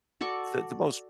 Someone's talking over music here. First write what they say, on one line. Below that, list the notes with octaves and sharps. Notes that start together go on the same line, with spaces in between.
the the most
F#4 A4 D5 C#6